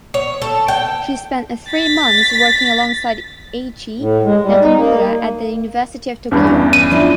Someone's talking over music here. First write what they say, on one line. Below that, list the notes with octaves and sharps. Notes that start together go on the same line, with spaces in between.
She spent three months working alongside Eiichi Nakamura at the University of Tokyo.
C#5
A4
G5
A6 B6
A2
G#3
G3
D#4
A#3
E2 G2 C#4
E3
D#7
F3 D4 E4